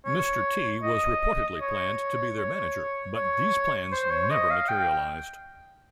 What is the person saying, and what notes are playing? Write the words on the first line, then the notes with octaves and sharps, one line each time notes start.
Mr. T was reportedly planned to be their manager, but these plans never materialized.
C#5
D#5
C#5
C#5
C#5
C5
C#5
D#5
F5
G5